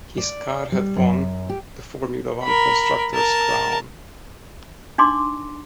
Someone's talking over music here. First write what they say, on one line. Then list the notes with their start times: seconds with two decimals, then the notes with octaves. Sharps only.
His car had won the Formula One constructors' crown.
0.18 D5
0.72 G3
0.96 F#2
1.50 G4
2.44 A#4 B5
3.14 A#4 A5
4.98 D4 D#4 C6 D6